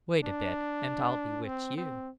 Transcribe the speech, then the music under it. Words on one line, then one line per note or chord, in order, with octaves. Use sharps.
Wait a bit, and I'll bewitch you!'
D4
C4
C4